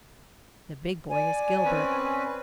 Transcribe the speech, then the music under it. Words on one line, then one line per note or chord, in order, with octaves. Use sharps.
The big boy is Gilbert.
D5 G#5
C4 C#4 B4